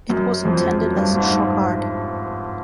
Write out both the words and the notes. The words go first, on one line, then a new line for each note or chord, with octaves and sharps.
It was intended as "shock art".
F#2
F2
F#2
G2
G#2